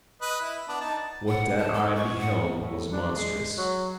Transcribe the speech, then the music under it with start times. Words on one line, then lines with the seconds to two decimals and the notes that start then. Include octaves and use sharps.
What that eye beheld was monstrous.
0.21 B4 D#5
0.41 E4
0.68 B3 D4
0.81 D#4 A5
1.28 F#5
1.58 A5
1.74 A4
1.95 C#6
2.20 F#5
2.59 A2
2.93 D4
3.15 G#3
3.58 F#3